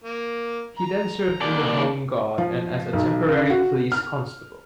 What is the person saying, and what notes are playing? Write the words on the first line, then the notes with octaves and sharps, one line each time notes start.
He then served in the Home Guard and as a temporary police constable.
A#3
A#5
D#2 D5
F3
B1
C#3
F#4
F6